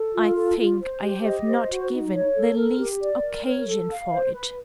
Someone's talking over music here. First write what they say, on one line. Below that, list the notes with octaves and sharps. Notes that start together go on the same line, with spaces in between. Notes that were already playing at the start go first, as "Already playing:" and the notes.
"I think I have not given the least occasion for it."
Already playing: A4
F4
A4
F4
C5
G4
D#5
C5
F#4
D#4
C#5
A4
A#4
G4
D5
A#4
C#5
A4
F5
C5
B4